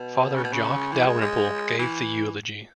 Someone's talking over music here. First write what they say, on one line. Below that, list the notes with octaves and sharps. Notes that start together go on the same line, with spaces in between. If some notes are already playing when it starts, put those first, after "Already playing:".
Father Jock Dalrymple gave the eulogy.
Already playing: B2
C#3
B2
C#3
E3
G#3
G#3
E3